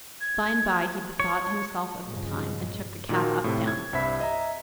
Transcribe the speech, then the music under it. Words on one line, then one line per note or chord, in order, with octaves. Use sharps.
By and bye he bethought himself of the time, and took a cab uptown.
G#6
C#5
G2 A#2 C#3 F3 G#3
A#2 D#3 A#3 F#4 A#4
A2 C3
G#6
C2 G2 C5 E5 B5 B6
D#5 E5 A#5